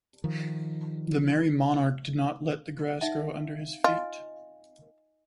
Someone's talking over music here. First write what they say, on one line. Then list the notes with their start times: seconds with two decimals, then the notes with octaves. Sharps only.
The Merry Monarch did not let the grass grow under his feet.
0.24 D#3 F3
3.01 D#4 E5 F#5
3.84 F4 D#5 G#5